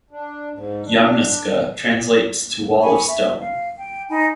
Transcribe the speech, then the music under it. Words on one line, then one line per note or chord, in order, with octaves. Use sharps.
Yamnuska translates to wall of stone.
D4
G#2
D4
G#5 B5 C#6
E5
F5
G5
D#4 G#5 B5